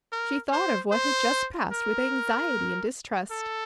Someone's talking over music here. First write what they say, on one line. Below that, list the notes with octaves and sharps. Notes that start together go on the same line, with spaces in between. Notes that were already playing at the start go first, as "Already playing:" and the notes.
She thought of what had just passed with anxiety and distrust.
A#4
C5
C5
A#4
A4